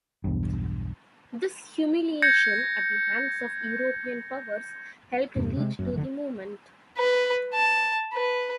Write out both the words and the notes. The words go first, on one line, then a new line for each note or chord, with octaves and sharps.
This humiliation at the hands of the European powers helped lead to the movement.
B1 E2 G2
G6 G#6 A#6 C#7
E2 G2 C3
C3 G#3
F#1 F#2
F1 D3
B4
A5
B4